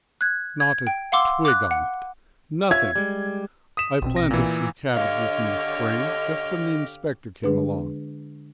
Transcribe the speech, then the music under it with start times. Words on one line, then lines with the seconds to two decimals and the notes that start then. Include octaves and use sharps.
Not a twig on it--nothing. I planted some cabbages in the spring, just when the inspector came along.
0.21 F#6 G#6
0.60 G#6
0.87 G5
1.12 F5 F#5 C6 D6 E6
1.45 D6 F#6
1.71 F#5
2.71 F4 C#5 E5 G#6
2.96 G3 G#3
3.77 D#6 B6 E7
4.02 A#1 B2 C4
4.16 A#6
4.31 A#2 E3
4.95 D3 G4 C#5 D#5 F5 F6
7.44 D3 G#3 D4 G#4 B4